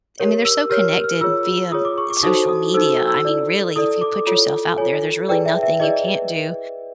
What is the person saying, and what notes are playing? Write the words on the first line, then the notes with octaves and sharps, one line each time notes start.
I mean they're so connected via social media. I mean really if you put yourself out there, there's really nothing you can't do.
G4 A#4 C#5
E6
G4 A#4 C#5 F6
F6
F4 G#4 C#5 E6
F4 G#4 C#5 D#6
D6
C#6
D6
D#4 F#4 A4 C5 D#6
D#6
D#4 F#4 A4 C5 E6
E6
E4 A4 D5
E4 A4 D5 D#6
D6
F4 A4 C#5
F4 A4 C#5 G#5
E4 G#4 B4 D5 G5
E5
E5
E4 G#4 B4 D5 D#5